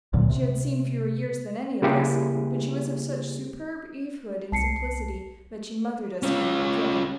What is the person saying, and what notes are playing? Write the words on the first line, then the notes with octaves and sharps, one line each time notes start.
She had seen fewer years than any of us, but she was of such superb Evehood and simplicity that she mothered us from the beginning.
C#2 A#2 D3 F#3
C3
C#3 G3 A#3 E4 G4 G#4
C2 A5 C7 C#7
C#4 F4